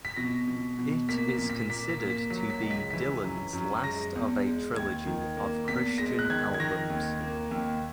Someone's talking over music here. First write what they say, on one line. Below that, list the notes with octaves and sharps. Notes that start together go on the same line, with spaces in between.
It is considered to be Dylan's last of a trilogy of Christian albums.
B6
B2 A#6
B2
B2
A#3 B6
B6
A#2
B6
A#3 B6
B6
A#3
B6
F#3 B6
B6
C#2
B6
E3 B6
F#2
F#2
G#3 A#6
E2
G#3
D#2 G#6
D#3
A#3
E2 B6
G#3 A#6
F#6
D#3 G#6
G#6
D#3 A#6
D#2
A#3
D#2